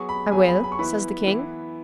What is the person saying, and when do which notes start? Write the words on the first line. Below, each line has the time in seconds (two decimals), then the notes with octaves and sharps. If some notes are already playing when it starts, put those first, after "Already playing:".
"I will," says the king.
Already playing: F#3 B3 G#4 C#6
0.09 B5
0.32 F#3 B3 G#4 G#5
0.48 B5
0.64 B5
0.72 C#6
0.79 E3 B3 E4 B4 B5
1.27 E3 B3 E4 B4